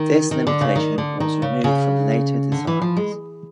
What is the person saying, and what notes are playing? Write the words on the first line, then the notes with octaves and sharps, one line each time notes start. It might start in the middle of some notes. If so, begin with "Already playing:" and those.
This limitation was removed from later designs.
Already playing: D#3
D#3
D3
C#3
D#3
D3
D#3
C#3
C#3
D3
E3
F3
G#3